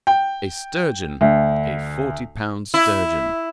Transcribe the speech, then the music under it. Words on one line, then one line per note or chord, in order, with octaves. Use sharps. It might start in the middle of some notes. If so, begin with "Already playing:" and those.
A sturgeon! a forty pound sturgeon!
G5
D2
E4